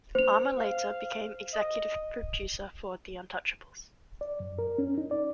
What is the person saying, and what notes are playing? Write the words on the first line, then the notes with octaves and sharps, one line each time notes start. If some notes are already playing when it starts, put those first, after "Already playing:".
Armer later became executive producer for "The Untouchables".
C5 F7
F5
D#5
D5
F#2
A#4
C#4
D#4
D5